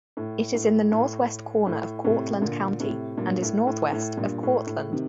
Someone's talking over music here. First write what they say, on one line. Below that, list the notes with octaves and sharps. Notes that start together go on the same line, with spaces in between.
It is in the northwest corner of Cortland County and is northwest of Cortland.
A2
A2
A2
A2
A2 C3
A#2 D3
A2 C3
G2 A#2
A2
A2
A2
G2 A#2
A2
A2
C3 D#3